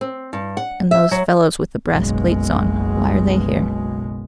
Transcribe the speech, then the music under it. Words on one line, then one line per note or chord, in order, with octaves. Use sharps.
And those fellows with the brass plates on, why are they here?
C4
G2
F#5
E5
F#3
F#1 B1 B2 G#3